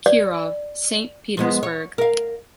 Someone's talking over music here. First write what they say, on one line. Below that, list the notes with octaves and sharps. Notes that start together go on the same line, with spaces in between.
Kirov, Saint Petersburg.
D5
F3 G#3 B3
C#5
A#4 F5